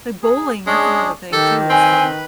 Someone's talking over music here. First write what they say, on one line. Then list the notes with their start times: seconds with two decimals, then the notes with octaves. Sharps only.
Like bowling, that's another thing too that's fun
0.23 G#4
0.66 G#3 C#4 D4 G#4
1.33 D#3 G4 A4
1.70 C4 B4 G#5 B5